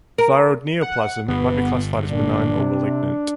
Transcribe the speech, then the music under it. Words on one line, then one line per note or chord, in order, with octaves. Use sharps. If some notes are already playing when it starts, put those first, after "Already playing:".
Thyroid neoplasm might be classified as benign or malignant.
A#4
F#5
G1 B3
A#2 D4
C3